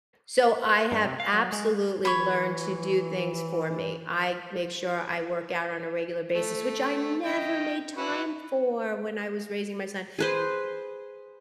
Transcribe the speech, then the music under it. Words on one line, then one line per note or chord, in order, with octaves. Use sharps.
So I have absolutely learned to do things for me. I make sure I work out on a regular basis, which I never made time for when I was raising my son,
G2
C3
F5
F#3
G#3
E3 C#5 B5
A3
D#5 G5
E4 F#4 B4
G#4 B4 C5